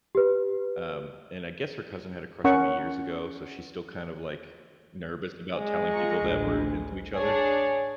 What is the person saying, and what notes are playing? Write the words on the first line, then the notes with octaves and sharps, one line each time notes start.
Um, and I guess her cousin had a crush on me years ago, so she's still kinda, like, nervous about telling people that we're into each other.
G4 B4
C#4 A#4 F#5 C#6
G#3
F4 A#5 C#6
A1 D2
D4 G#4 C#5